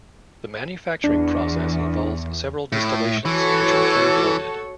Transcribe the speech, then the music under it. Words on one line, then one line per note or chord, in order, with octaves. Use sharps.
The manufacturing process involves several distillations which are then blended.
E2 D4
A2
E3 F#4 A4 C#5